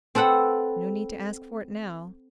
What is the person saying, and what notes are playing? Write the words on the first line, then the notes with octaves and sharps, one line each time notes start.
No need to ask for it now!
C4 A4 B4 F#5 B5